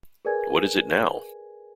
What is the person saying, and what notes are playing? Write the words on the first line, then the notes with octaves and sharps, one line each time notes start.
What is it now?
G#4 A#4 B4 D5 G#5 G#6